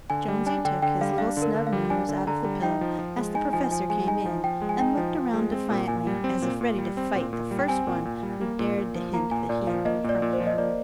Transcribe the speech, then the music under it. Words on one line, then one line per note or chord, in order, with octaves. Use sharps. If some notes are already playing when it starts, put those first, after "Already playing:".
Jonesy took his little snub nose out of the pillow as the professor came in, and looked around defiantly as if ready to fight the first one who dared to hint that he had been crying.
D3 G#5
G3
D4 G#5
D3 G5
D3 G5
G3 F5
D4 F5
D3
A#4
D3
F5
G3
D4 G#5
D3
D3 A#5
G3
D#4 G5
F3
F3
G#3
D#4 G#5
F3 G#5
F3 G#5
G#3 G#5
D#4 G#5
F3
F3 G5
G#3
G#5
D#4 G5
F3
F3
G#3
C4
A#2
A#2 G#5
G3
C4
A#2
A#2
G3
C4
A#2
A#2
G3
G5
C4 G#5
A#2
A#2
G3
A#3
A#2
A#2
F3
A#3 A#5
A#2 G#5
A#2 D5
F3 F5
A#3 D#5
A#2 D5
A#2
C5
F3
D#5
A#3 D5